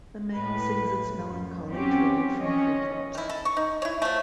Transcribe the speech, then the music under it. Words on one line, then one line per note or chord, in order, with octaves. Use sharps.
The male sings its melancholy trill from treetops.
A2 B4
F#2
F#3 C4 C#4 G4
F3 C#4 C#5 D#5
D#3 E4
A4
C#6
D#4
E4 C#5
F3 A3